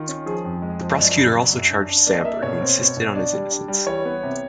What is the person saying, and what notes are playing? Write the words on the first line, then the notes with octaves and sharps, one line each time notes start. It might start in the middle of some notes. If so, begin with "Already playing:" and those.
The prosecutor also charged Samper, who insisted on his innocence.
Already playing: D#3 F4
C#4
F3 G#4
F2
G#3
F3
D#5
F#2 D5
C#3
F#3
F#2
D4
D4
A#3 D5
D#5
A#3 E5
D5
B2 C#5
C4
B2
B2
D4 D5
G3
D4
G3
E3 C#5
B3
C3